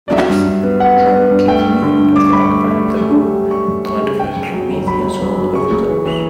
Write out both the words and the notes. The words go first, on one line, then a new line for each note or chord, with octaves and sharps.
Drummer Keith Moon of the rock band The Who died of a clomethiazole overdose.
D5
F#3 E5
G2
G2
B3
B3 F#5
B3
B3
G2
A3 G5
A3
D3
G2
G2 D6
C#6
G2 B5
C#6
A3
A3
G3
F#2
G3
G3
G3 C#6
F#2
G3 C#6
C#3
C#3 G5
F#2
F#3
G1
F#3 B5
G1
F#2
F#3
C#3 C#6
F#1
E3
E3